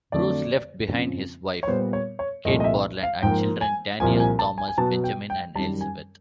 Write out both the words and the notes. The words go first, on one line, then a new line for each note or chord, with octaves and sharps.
Bruce left behind his wife, Kate Borland, and children Daniel, Thomas, Benjamin and Elizabeth.
F2 D3 F#3 A3 D5
F2 C#3 F3
C#5
A#2 G3 B3 C5
C#5
C#5
C2 A#2 F3 A3 D#5
D#5
E5
F5
G#2 F3 A#3 G5
G#5
C2 A#2 F3 A#3 G#5
G#5
A5
G#5
G#5
B2 F#3 B3 A5
G5
G5
F#2 D#3 G3 A5
G#5